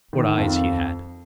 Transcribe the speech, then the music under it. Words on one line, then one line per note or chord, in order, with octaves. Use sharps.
What eyes he had!
D#3
F2